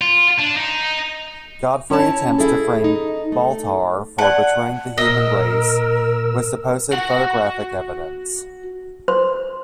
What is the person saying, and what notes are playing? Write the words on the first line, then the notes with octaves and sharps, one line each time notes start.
Godfrey attempts to frame Baltar for betraying the human race with supposed photographic evidence.
F4
D4
D#4
C#4 E4 C#5 A5
E4 G#4 A4
D#4
A3
D5 F#5 A5
A#2 A#4 D#5 E6
F#4 F#5
B4 C5 C6